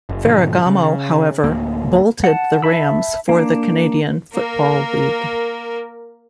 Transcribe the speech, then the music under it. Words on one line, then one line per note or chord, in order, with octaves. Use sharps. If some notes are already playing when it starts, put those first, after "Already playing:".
Ferragamo, however, bolted the Rams for the Canadian Football League.
F#1
G#2 B2 D3 F3
C#3
D1 G#1 D2 A#3
F#5 A5
E5 A5 B5 E6
A#3 D4
A#3 A#4